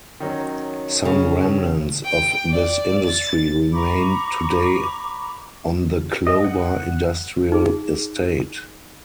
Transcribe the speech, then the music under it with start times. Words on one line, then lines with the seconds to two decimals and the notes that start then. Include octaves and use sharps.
Some remnants of this industry remain today on the Clober Industrial Estate.
0.20 D#3 F#3 C#4
1.05 C#3
2.05 G5
2.50 D5
3.06 A6
3.73 A#5 B5 C#6 D6
6.27 D#5
6.44 F#5
7.52 D#4 G#4